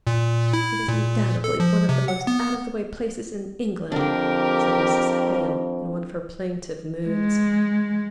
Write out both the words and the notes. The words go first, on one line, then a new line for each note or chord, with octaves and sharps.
'It is undoubtedly one of the most out-of-the-way places in England,' said Mrs. Hale, in one of her plaintive moods.
A#2
E4
A#2
A4
F3
C3
F#5
B3
F2 D3 D4 G4 A#4
G#3